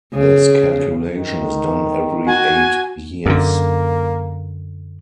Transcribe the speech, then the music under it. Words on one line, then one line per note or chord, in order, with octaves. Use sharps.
This calculation is done every eight years.
C#3
D#3
F#4 G#5
F#2 D3 A#3